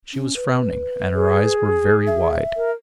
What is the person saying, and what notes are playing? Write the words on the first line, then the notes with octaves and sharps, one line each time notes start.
She was frowning, and her eyes were very wide.
C#4
B4
G#4
E5
A#4